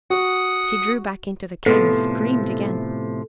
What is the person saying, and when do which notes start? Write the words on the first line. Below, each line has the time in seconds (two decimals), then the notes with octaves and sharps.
She drew back into the cave and screamed again.
0.10 F#4 F#5 D#6
1.66 A2 C3 F3 B3 A4